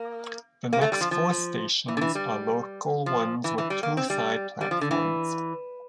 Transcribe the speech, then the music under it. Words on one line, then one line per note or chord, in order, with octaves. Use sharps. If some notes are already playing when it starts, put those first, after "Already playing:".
The next four stations are local ones with two side platforms.
Already playing: A#3
A#3
A3
G3
F3
F3
E3
D3
E3
G3
F3
E3
E3
G3
A#3
C4
G3
G3
F3
D3
E3